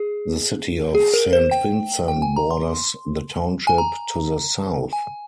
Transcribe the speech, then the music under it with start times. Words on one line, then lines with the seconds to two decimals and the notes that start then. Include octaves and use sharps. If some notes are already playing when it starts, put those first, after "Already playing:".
The city of Saint Vincent borders the township to the south.
Already playing: G#4
0.95 G#4
1.14 A#4
1.33 C5
1.51 G5
2.08 G5
2.22 G#5
2.36 A#5
2.51 C6
3.67 G#5
3.78 A#5
4.93 G#5